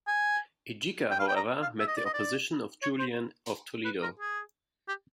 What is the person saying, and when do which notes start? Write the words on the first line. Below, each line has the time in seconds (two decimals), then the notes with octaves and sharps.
Egica, however, met the opposition of Julian of Toledo.
0.07 G#5
1.11 G5
1.19 F5
1.28 G5
1.36 A#5
1.62 F5
1.79 E5
1.87 D#5
1.97 D5
2.05 D#5
2.14 D5
2.82 C#5
2.99 C5
3.85 B4
4.02 A#4
4.19 G#4
4.88 G4